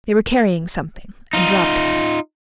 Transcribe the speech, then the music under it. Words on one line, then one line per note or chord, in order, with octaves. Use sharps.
They were carrying something, and dropped it.
D#4 F4